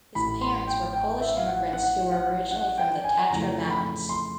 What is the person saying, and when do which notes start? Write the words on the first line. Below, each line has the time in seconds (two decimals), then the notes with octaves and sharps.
His parents were Polish immigrants who were originally from the Tatra Mountains.
0.15 A1 A2 E3 B5
0.41 C6
0.68 G5
0.93 G5
1.21 E5
1.37 F5
1.46 F#5
1.73 F#5
2.12 F#5
2.51 F#5
2.78 G5
3.04 G#5
3.30 F2 C#3 E3 A3 A#5
3.70 B5
4.09 C6